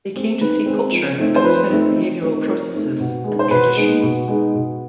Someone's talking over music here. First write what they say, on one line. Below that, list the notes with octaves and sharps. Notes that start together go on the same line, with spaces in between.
They came to see culture as a set of behavioural processes and traditions.
G#3 C4
D#3 B4
G#3 C4
F3
A3 C4 D#4
C5
F3 B4
A3 C4 D#4
F3
A3 C4 D#4
F3 A#4
A3 C4 D#4
B2
G#3 B3 D#4
C5
B2 B4
G#3 B3 D#4
B2
G#3 B3 D#4
B2